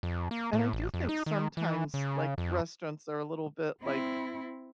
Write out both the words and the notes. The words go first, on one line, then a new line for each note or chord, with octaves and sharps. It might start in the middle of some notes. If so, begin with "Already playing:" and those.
and I do think sometimes, like, restaurants are a little bit, like,
F2
A#3
A2
A1
F2
D#4
D#3
E3
C#3
F2
C4 E4